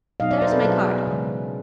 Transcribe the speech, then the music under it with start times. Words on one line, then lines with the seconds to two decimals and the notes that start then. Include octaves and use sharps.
There's my card.
0.20 B2 F#3 B3 D#4 D#5 F5
0.31 D5 E5
0.42 A#4 C5
0.52 A4 B4
0.63 B2 F#3 B3 E4 G#4 A#4
1.07 C#3 E3 G#3